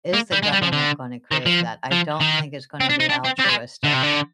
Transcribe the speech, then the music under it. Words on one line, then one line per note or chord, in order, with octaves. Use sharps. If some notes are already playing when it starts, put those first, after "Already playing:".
is the government gonna create for that? I don't think it's gonna be altruistic.
A#3
G3
G#3
G3
F3
D3
D#3
F3
F3
D#3
C4
D4
D#4
D4
C4
C4
G3
G#3
D3
C3
D3